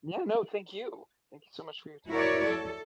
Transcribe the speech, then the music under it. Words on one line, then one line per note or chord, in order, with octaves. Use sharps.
Yeah, no, thank you. Thank you so much for your time.
E4 F#4 A#4 C#5 D5
A4